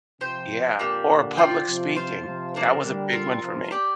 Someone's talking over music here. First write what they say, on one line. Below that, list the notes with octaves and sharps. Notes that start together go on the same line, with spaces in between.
Yeah, or public speaking. That was a big one for me.
C3 F3 G4 C5 G5
F2 A#2 A#3 D4 G4
A#2 D3
C4 F4 D5 G5
C3 F3
F4 C5 F5
C3 F3
A#3 D4 A#4
D3 G3
C4 F4 A#4
C3 F3
G4 D5 G5